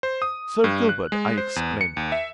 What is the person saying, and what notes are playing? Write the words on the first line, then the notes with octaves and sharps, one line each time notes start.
"Sir Gilbert!" I exclaimed.
C5
D#6
G2
F#6
G#3
C5
E2
C#7
D#2
E5